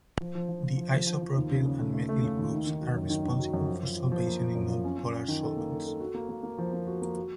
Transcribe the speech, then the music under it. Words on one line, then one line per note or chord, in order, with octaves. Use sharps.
The isopropyl and methyl groups are responsible for solvation in nonpolar solvents.
F3
F3
F3
F3
F3
F3
F3
F3
D#2
C#3
C#3
A3
A3
A3
C#3
D#2
D#3
D#3
F#3
F#2
D#3
D#3
F#3
F#2
F3
F4
F3
F3
A#3
F4
F#2
F4
C#4
C#4
C#4
D#3
A4
A#3
A4
A4
F#4
A#3
A#3
A#3
F3
A#3
F#4
A#3
F#4